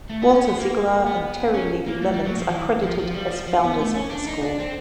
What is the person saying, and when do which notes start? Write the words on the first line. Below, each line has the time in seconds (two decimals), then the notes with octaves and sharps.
Walter Ziglar and Terry Leavey Lemons are credited as founders of the school.
0.10 A3
0.22 B3
0.33 C#4
0.45 B3
0.58 A#3
1.06 B3
1.54 C#4
1.86 A#3
2.02 A3
2.13 G3
2.27 F#3
2.38 F3
2.50 E3
2.83 F3
2.99 F3
3.14 G3
3.30 F3
3.47 F3
3.63 B3
3.78 A3
3.94 C#4
4.10 D4
4.27 D#4
4.43 D4
4.59 C4